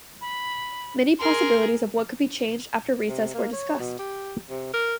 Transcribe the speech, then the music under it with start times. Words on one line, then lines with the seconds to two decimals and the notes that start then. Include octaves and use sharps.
Many possibilities of what could be changed after recess were discussed.
0.21 B5
1.19 G#4 A#4 C6
3.09 C3
3.34 A#3
3.53 C#5
3.79 B2
3.99 G4
4.50 C3
4.74 A#4